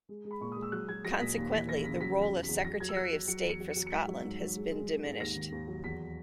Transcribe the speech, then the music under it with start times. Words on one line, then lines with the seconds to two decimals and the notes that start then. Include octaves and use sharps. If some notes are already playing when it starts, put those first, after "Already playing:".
Consequently, the role of Secretary of State for Scotland has been diminished.
0.09 G#3
0.25 G#3
0.31 B5
0.41 A#2 C#6
0.52 G#3 D#6
0.62 E6
0.72 F#3 F#6
0.89 F#3 G#6
1.05 F#3 A#6
1.20 A#2 B6
1.37 D#2
1.52 E3 B6
1.68 E3 A#6
1.84 C#3 B6
2.01 F#3 B6
2.17 E2 B6
2.32 E2
2.43 B6
2.48 E2
2.64 F#3 A#6
2.80 F#3 G#6
2.89 E6
2.97 F#3 F#6
3.12 F#3
3.28 F#3 C#7
3.44 E2
3.49 C#7
3.60 F#3
3.71 C#7
3.76 F#3
3.87 C#7
3.92 G#2 B6
4.08 F#3
4.24 G#2
4.41 F#3
4.56 G#3
4.72 G#3
4.88 G#3
5.04 G#2
5.20 D#2 A#6
5.36 D#3
5.52 D#2
5.68 F#3
5.83 E2 B6